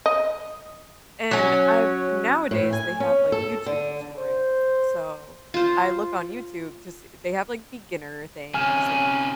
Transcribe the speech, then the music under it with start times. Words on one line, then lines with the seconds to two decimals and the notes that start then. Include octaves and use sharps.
And I've nowadays, they have, like, YouTube tutorials, so I look on YouTube to see they have like beginner things and
0.06 D#5
1.31 F#3 C#4
2.51 A2
2.73 G#5
3.00 C#4
3.32 A4
3.66 D3
4.19 C5
5.54 F4 C5
8.54 C3 C#4 G#5 F6